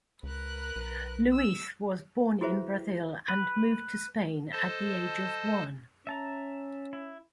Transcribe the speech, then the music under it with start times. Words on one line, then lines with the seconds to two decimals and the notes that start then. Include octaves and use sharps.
Luiz was born in Brazil and moved to Spain at the age of one.
0.23 C#2 A#4 B4 F#6
0.76 B1
1.32 E6
2.41 E4 F#4 G#4 B4 C5 E5
3.28 B4
4.52 A4 C5 D#5 A5
6.07 C#4 E5 A5 A#5
6.93 E4